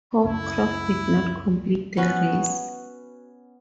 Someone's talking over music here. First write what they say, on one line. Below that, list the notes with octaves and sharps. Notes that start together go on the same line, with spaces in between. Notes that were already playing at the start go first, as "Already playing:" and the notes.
Hopcroft did not complete the race.
C#2 F#2 C#3 E4
B3 C#4 F#4 B4